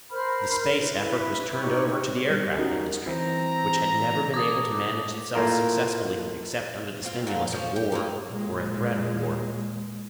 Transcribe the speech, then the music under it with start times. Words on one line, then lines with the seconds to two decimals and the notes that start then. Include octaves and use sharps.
The space effort was turned over to the aircraft industry, which had never been able to manage itself successfully except under the stimulus of war or a threat of war.
0.10 A#4 C5 B5 F6
0.79 E4 B4
1.60 D#4 G4 C#5 C#6
2.30 G3
2.58 C#4 D#4 F#4 A#4 D#5
3.07 E3 C4 A#5
4.34 A4 D6 D#6
5.35 A2 A3 A#3 F4 A#4
7.03 C4 F4
7.27 A#2 D3 F4
7.53 F3 C#4
7.76 G4
7.92 A#3 D#4 G4
8.28 A#2 G#3